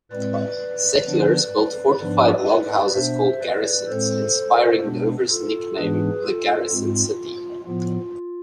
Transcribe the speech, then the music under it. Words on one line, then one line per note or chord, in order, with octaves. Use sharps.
Settlers built fortified log houses called garrisons, inspiring Dover's nickname The Garrison City.
A2 G#3 C4 B4 D5
D3 F3 B3 D4
G#2 F3 B3 D4 B4 D5
B2 B3 D4 C5 E5
B4 D5
A2 G#3 C4 A4 C5
B2 G#3 B3 D4
F4 A4
G#2 E3 G#3 B3 D4 G#4 B4
F4 A4
G#2 G#3 C4 F4
A2 F3 B3 F4